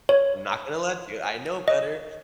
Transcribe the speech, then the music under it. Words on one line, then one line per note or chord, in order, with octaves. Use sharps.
I'm not gonna let you, I know better."
C#5
D#5